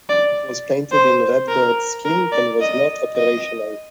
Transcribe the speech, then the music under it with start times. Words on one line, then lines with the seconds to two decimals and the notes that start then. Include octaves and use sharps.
It was painted in redbird scheme and was not operational.
0.09 D5
0.92 C5
1.49 A#4
2.05 A#4
2.32 D5
2.60 D#5
3.16 D#5